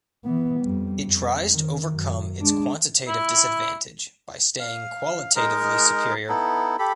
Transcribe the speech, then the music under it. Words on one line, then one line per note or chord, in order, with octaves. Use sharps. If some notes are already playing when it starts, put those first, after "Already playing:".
It tries to overcome its quantitative disadvantage by staying qualitatively superior.
E3 B3
F2 G3
F2
D#3
F#2
G#3 D4
E4
F5
G#3 D#4 A#4
B3 D#4 E4 A4
G4 A4 B5